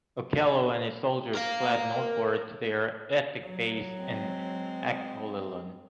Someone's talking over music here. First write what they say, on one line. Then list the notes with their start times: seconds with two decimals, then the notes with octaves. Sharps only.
Okello and his soldiers fled northward to their ethnic base in Acholiland.
1.35 A#4 F5
3.43 F#3
3.98 G#3 C4